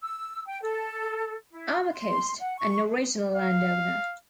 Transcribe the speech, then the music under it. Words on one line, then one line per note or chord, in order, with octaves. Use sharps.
Armacost, an original landowner.
E6
G5
A4
E4
F5
C6
F#5
C#6
F5